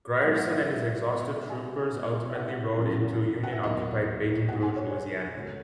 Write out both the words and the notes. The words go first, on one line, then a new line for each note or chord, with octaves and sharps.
Grierson and his exhausted troopers ultimately rode into Union-occupied Baton Rouge, Louisiana.
G#2 F#3 B3 F#5
E5
E5
E5
B2 G#3 B3
G#5
B2 G#3 B3
E5
F#5
F#2 C#3 E3 B3
F#5
E5
D#2 D#3 F#3 B3 D#5
B2 A3 F#5
G#5
C#5
C#5
C#2 B2 A3